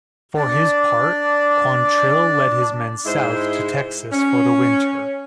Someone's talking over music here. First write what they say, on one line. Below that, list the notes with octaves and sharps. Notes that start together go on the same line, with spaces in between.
For his part, Quantrill led his men south to Texas for the winter.
D4 D5
G#2 G#3 E4 C5
C#4